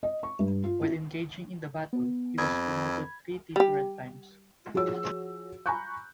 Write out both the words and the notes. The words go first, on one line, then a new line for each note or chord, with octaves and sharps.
While engaging in the battle, he was promoted three different times.
D#5
C#6
G2
F4
E4
B3
F2 B5 G#6
G3 G4
F3 F#4 G#4 C#5 E6
G#5 A#5 B5 C#6 F#6 G6